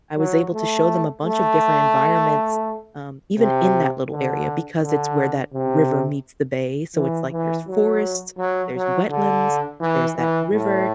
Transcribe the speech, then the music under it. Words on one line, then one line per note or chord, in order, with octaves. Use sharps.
I was able to show them a bunch of different environments, um, even in that little area because it's where that river meets the bay. So, it's like, there's forests, there's wetlands, there's that river
F#3
A3
A3
C3
D3
D3
C3
E3
E3
F#3
F#3
F#3
D3
E3
E3
A2